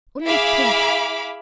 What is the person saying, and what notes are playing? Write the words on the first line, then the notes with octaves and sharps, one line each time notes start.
Only think!
E4 G#4 E5 F5 B5 D6